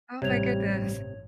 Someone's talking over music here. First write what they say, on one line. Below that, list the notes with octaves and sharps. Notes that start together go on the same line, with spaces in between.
Oh my goodness.
A1 G2 C3 G3 C#5 G#6 F7